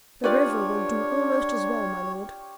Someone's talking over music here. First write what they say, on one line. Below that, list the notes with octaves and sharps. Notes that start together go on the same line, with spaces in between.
"The river will do almost as well, my lord."
D4 F4 G4 B4 C#5 D5 F#5